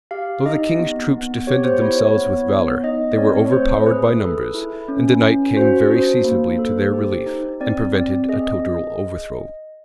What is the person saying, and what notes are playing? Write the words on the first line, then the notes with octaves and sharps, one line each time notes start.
Though the king's troops defended themselves with valor, they were overpowered by numbers; and the night came very seasonably to their relief, and prevented a total overthrow.
G4 F5
D#4 D#5
B3
B3
G4 C#5
C5
E4 C#5
C#5
B3
B3
D#4 D#5
D5
C4 C#5
C#5
A3 C5
G#4 B4
A4
E4
C#4
C#4
F#4 C5
D4 C5
A#3
A4
G4
D#4
C4 D5
C4 D5
G#4 D#5